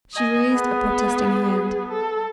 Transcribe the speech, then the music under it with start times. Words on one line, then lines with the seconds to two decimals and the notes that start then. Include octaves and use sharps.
She raised a protesting hand.
0.14 D#5 G#5
0.53 B3 G#4
1.89 A4